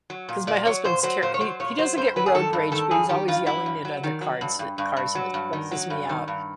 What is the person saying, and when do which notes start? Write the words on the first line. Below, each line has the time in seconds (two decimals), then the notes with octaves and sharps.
'Cause my husband's ter he he doesn't get road rage, but he's always yelling at other cards uh, cars, and it stresses me out.
0.10 F#3
0.29 A#2
0.47 A#2 D5
0.66 F#3 C#5
0.84 A#2 C5
1.03 F#3 C5
1.22 A#2 C5
1.34 C#5
1.41 F#3 C5
1.60 A#2 C#5
1.78 F#3 C5
1.97 G2 C5
2.16 F#3 B4
2.26 G#4
2.34 D#3 A4
2.53 G2
2.72 D#3 A4
2.91 G2 G#4
3.09 D#3 G4
3.28 G2 F4
3.46 F#3 E4
3.66 G2
3.85 F#3
4.03 D#3
4.21 F#3
4.41 G2
4.59 G2
4.78 G2
4.97 G2
5.15 F#3
5.34 G2
5.53 D#3
5.71 F#3
5.90 G2
6.09 D#3
6.28 G2